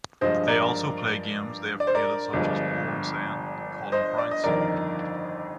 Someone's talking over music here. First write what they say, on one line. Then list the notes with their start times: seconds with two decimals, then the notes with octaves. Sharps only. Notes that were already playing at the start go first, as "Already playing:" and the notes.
They also play games they have created such as "Poem Sayin" and "Callin Pranks".
0.21 G2 F3 G#3 C5 D#5
0.48 A#4 D5
1.80 D5
1.87 C5
1.95 A#4 D5
2.33 G1 G2 F3 G#3
3.92 C5 D#5
4.18 D5
4.31 D#5
4.44 G1 F2 D#3 A#4 D5